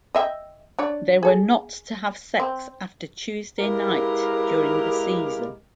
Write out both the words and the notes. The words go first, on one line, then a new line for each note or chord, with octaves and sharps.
They were not to have sex after Tuesday night during the season.
D#5 E5 G5
D4 C#5 D5
G#4 A4
C4
G#3 E4 G4 A#4 B4 F5